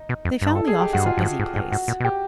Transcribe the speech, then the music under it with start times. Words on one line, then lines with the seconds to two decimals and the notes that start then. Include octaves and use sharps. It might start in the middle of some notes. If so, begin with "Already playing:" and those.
They found the office a busy place.
Already playing: D#4
0.09 B2
0.25 F2
0.42 G2
0.55 A4
0.68 G#4
0.81 G4
0.93 G2 F#4
1.06 G#2 F4
1.17 G2
1.23 G#2
1.39 G#2
1.56 G#2
1.72 G#2 F#4
1.88 A#2
2.00 B2
2.04 A#2 G4